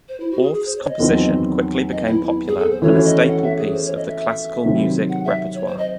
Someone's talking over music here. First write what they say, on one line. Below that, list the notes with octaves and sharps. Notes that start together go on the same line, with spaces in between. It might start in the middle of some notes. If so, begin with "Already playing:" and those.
Orff's composition quickly became popular and a staple piece of the classical music repertoire.
C5
E4
F#4
G#4
G#4
C5
C#5
D#5
E2 D#3 F#3 C4 D#4
D#5
E4
E4
G#4
A4
C5
E3 A3 C#4 F#4 C#5
D#5
F#5
E5
G#4
C5
C#5
D#5
E5
C3 D#3 F#3 C4
F#5
E5
C#5
C5
D#5